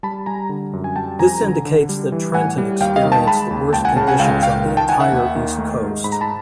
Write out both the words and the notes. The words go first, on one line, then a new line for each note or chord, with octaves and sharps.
This indicates that Trenton experienced the worst conditions on the entire East Coast.
G3 A5 B5
G3 G#5 A#5
D3
F#2
G#5
G3 G5 A5
F2 G#5 A#5
D3
D3
G3
E3
A2 F#5 G#5
G3
D#2 F5 G5
D#5 F5
D#3
G5 A5
G#3 A5 B5
D#2
C#2 G5 A5
F#5 G#5
C#3 A5
F#5 G#5
C#2 F5 G5
C#2 F5 G5
D#3
G5 A5
D#3 F#5 G#5
E5 F#5
D#2
D#3
A3
G#2
G#2 B5
A#5
A5 B5